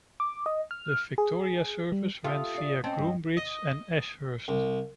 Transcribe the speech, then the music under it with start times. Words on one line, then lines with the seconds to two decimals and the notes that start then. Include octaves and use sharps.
The Victoria services ran via Groombridge and Ashurst.
0.20 D6
0.46 D#5
0.71 F6
1.18 G#4
1.92 G3
2.24 F4 G4 A4 E5 D#6
2.55 D5 F5
2.84 C4 C#4 C5 D#5 A5
2.99 G2
3.37 D#5
4.48 C2